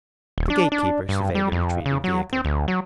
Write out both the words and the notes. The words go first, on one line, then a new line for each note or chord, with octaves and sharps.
The gatekeeper surveyed the retreating vehicle.
D#1
D4
D4
G2
G3
F2
C#3
F#3
C4
D2
F#3